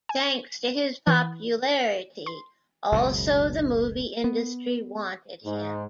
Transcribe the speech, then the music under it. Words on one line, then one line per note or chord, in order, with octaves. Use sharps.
Thanks to his popularity, also the movie industry wanted him.
G#5
E3
C6
F#1 C#2 B2
B3
G#2